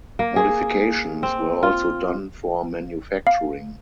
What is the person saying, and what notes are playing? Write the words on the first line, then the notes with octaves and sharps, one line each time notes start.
Modifications were also done for manufacturing.
A#3
G#4
C4
F4
F5